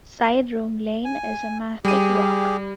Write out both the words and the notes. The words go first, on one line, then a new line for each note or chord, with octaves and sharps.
Sideromelane is a mafic rock.
G#5
G3 G4 G#4 D#7